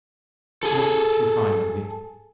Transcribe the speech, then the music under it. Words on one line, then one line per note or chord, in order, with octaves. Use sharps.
What could she find in me?
G#4 A4